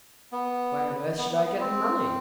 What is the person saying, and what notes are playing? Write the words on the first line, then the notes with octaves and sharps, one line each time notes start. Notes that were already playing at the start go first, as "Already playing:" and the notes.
"Where on earth should I get the money?"
B3
B3
B3
B3
C4